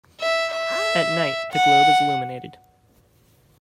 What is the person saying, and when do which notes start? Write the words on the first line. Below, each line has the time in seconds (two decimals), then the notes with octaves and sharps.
At night, the globe is illuminated.
0.20 E5
0.53 E5
1.52 F#5